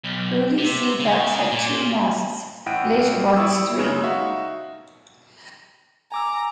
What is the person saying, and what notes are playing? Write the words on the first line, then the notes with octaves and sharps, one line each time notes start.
Early xebecs had two masts; later ones three.
B1
C3
C#3
A#2
A1 E4 F#5 G5 D7 D#7
E4 D5 C#6 D#6 E6
F#2 C#3 G#3 D#4 C#5
D#4 F#4 E5 F5
G#5 A#5 D6 E6